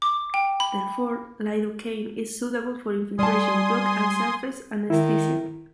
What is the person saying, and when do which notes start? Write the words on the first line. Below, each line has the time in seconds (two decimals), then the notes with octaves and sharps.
Therefore, lidocaine is suitable for infiltration, block, and surface anaesthesia.
0.02 D6
0.34 G5
0.60 B5
3.19 G3 G#5 A5 C6 D#6
4.90 D#3 E4